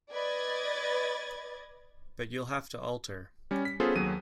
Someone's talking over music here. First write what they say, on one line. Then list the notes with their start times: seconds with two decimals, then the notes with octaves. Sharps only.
But you’ll have to alter.
0.11 B4 D5 D#5 G#6 A6
3.51 G3 C#4
3.65 B6
3.80 B3 C#4 F4 G#4 A4 C5
3.96 D#2 F#3 G#4 D#7